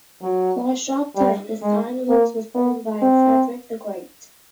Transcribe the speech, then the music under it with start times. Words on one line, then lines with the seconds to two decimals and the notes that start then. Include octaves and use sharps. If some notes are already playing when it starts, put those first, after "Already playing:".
For a short time this ironworks was owned by Frederick the Great.
0.22 F#3
1.15 G3
1.62 G#3
2.09 A#3
2.55 B3
3.02 C4